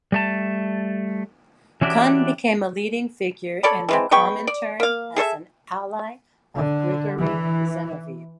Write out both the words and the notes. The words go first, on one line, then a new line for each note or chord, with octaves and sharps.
Kun became a leading figure in the Comintern as an ally of Grigory Zinoviev.
G3 A3 A5
E3 C#4 D4 E4 F#4 G4
A4 C#5 D5 B5
E3 G#3 C4
G#3 B3 G5 C#6
D5
A#3 F5
G#4 A4 C5 E5
D3
E3